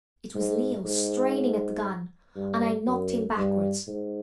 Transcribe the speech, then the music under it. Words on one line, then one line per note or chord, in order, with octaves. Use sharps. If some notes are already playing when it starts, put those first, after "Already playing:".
It was Leo straining at the gun, and I knocked him backwards.
G#2
G#2
G2
F#2
G2
G#2